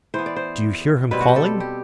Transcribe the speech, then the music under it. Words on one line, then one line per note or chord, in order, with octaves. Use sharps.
Do you hear him calling?
E3 B3 C5
D5
C5
B2 G3 C4 B4
F#4
G4
A4
G4